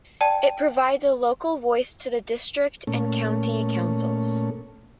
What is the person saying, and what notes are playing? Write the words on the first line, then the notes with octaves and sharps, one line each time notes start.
It provides a local voice to the district and county councils.
D5 G5 A5
A#2 A3 C#4